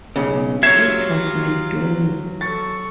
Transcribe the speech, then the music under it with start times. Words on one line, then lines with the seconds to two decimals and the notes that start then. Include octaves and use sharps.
It was my doing.
0.16 B1 C#3
0.63 F#3 F4 G4 C#5 E5 G#6 C7 E7
2.41 A4 C#6 A6